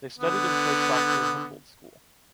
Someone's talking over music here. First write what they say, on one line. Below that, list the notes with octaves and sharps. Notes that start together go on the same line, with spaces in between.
They studied and played soccer in Humboldt school.
D3 B3